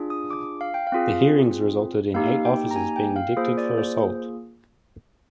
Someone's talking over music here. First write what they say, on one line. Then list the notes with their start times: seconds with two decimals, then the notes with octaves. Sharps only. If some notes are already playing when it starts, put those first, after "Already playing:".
The hearings resulted in eight officers being indicted for assault.
Already playing: D4 F4 G#4
0.10 D#6
0.31 D6
0.61 F5
0.74 G5
0.87 F5
0.92 C4 F4 G#4
2.14 A#3 D#4 G4 F5
2.45 G5
2.71 A#5
2.76 G#5
2.96 G5
3.16 F5
3.37 A#3 F4 G#4 C5
3.58 D5
3.78 C5